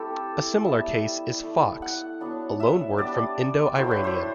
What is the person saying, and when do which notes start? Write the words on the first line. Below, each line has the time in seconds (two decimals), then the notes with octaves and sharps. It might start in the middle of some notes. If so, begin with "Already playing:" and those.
A similar case is "fox", a loanword from Indo-Iranian.
Already playing: A3 C4 E4 G4 A4
0.65 G3 B3 E4 E5
1.43 A3 E4
1.82 F#5
2.21 F#3 B3 D4
2.60 E5
2.98 G3 B3 D4 D5
3.76 F#3 A3 E4 C5
3.91 B4
4.04 C5